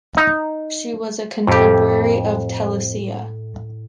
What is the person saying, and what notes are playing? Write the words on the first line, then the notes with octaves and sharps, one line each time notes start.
She was a contemporary of Telesilla.
D#4
F2 A2 G4